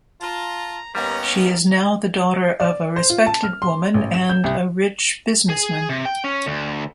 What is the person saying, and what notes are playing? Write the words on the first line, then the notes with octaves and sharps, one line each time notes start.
She is now the daughter of a respected woman and a rich businessman.
F4 A5 A#5
D#2 D#3 G3 B3 C#4 A#5
D5
C5
F4
A5
F6
C6
A1
E7
G6
C2
G#4
C3
G5
C#4
D2